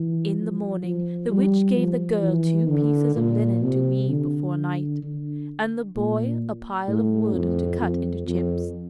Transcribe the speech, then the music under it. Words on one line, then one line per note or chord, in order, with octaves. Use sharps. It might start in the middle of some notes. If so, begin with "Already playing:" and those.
In the morning the witch gave the girl two pieces of linen to weave before night, and the boy a pile of wood to cut into chips.
Already playing: E3
F3
F3
G3
F3
E3
D3
A#2
C3
D3
D3
A#2
A2
F2
F2
F2